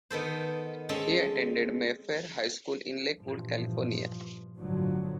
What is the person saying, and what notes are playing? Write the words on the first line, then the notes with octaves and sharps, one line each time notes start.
He attended Mayfair High School in Lakewood, California.
D#3 B3 A4 C5
G#3 C4 C#4 A4
G2 A#2 E3 F3
G1 A2 D3 F3 F#3